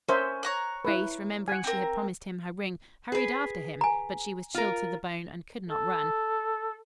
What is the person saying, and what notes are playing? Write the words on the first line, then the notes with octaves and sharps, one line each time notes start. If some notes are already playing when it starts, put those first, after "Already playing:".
Grace, remembering she had promised him her ring, hurried after him, but she was chilled to the bone and could not run.
C#4 A#4 C5 E5
C#5 A#5 F#6
E4 B4
F#5 G#5
C4 A#4
G#4 B4
G#5 A#5
F4 A#4
A4